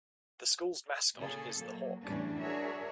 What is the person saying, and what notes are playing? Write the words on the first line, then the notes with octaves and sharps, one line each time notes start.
The school's mascot is the Hawk.
A#2 C#3 G#4 A4
F#3 A#3
E2 A2 E3 G3 C#4 D4
D4 F#4 G#4 A#4 C#5 E5